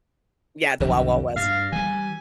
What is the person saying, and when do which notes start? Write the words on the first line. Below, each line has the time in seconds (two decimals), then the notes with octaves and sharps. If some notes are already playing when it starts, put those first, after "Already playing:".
Yeah, the Wild Wild West.
0.80 B1 F2 D3
1.36 G2 F5
1.73 E3 G3 G#5